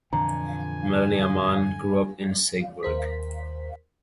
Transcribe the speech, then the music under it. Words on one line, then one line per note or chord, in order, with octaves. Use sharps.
Melanie Amann grew up in Siegburg.
F2 A#2 D3 E3 G#5 A#5
D#2 A#4 C5 B6